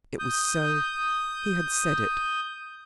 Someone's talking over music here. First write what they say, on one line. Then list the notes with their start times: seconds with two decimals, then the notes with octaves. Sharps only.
It was so; he had said it.
0.19 D#6 G6